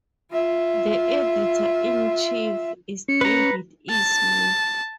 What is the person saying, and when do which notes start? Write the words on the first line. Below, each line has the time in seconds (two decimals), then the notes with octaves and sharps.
The editor-in-chief is David E. Smith.
0.32 F4 E5
3.08 C#4 C#7
3.21 B4 A#5
3.90 A5